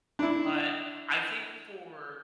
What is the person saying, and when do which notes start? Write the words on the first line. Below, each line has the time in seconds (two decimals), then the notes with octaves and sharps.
but I think for
0.19 D4 E4